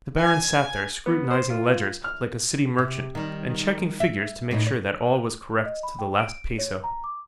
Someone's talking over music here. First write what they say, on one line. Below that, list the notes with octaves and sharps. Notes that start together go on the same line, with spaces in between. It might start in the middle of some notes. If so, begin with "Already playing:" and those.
The Baron sat there scrutinizing ledgers, like a city merchant, and checking figures to make sure that all was correct to the last peso.
G#5
B3
C5
F4
F6
C3
D#3 G3
E5
A2 C#4 D#4
C#5
D#5
B5
G5
D7
C#5
A#5
D6